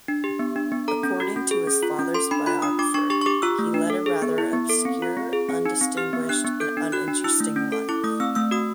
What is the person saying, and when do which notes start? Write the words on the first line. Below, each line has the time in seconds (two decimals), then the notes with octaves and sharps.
According to his father's biographer, he led a rather "obscure, undistinguished and uninteresting life".
0.08 D4
0.24 G4
0.39 B3
0.56 D4
0.72 B3
0.88 A4 A#5
1.03 C#4
1.20 F#4
1.36 C#4
1.51 G#4
1.67 C#4
1.83 F4
1.99 C#4
2.14 A4 C6
2.31 D4 B5
2.46 F4 B5
2.62 D4 D#6
2.79 D4 D6
2.94 D4 C#6
3.10 G4 C#6
3.21 C#6
3.26 G4 D6
3.42 F4 E6
3.59 A3
3.74 D4
3.90 A4
4.06 G#4
4.22 B3
4.38 E4
4.53 B3
4.69 A4
4.85 C4
5.02 F4
5.17 C4
5.33 G#4
5.49 C4
5.65 D#4
5.81 C4
5.97 G4 F6
6.13 B3
6.29 D4 F#6
6.45 B3
6.60 A4 G6
6.77 D4
6.92 F#4 F#6
7.08 D4
7.24 E4 E6
7.40 A3
7.56 C#4
7.72 A4
7.89 E4 D6
8.04 A3 D#6
8.20 C4 E6
8.35 A3 E6
8.51 F#4 D#6